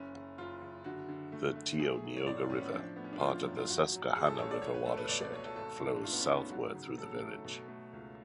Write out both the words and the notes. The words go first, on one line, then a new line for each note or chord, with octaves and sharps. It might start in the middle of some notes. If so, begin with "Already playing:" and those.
The Tioughnioga River, part of the Susquehanna River watershed, flows southward through the village.
Already playing: F#1 C#4
F#1
F#1 F4
F#1
D3 F#4
D3
A3
A3
A3 G#4
F#3
C#5
A2 D5
F4
A2 C#4
B3
F3 D4
A3 B3
C#4
D4
F3 F4
F#2
F4
G#1 F#4
F#3
G#1 G#4
A4
G#1 C#5
D5
C#2 C#5
B4
A3 A4
B4
B2 D5
D5
B2 C#5
A4
G#1 A4
G#2
D4
A3 F4
B3
C#4
G#2
B3
F#3 F#4
C#3
F#3 A4
A3
B2
A3
C#2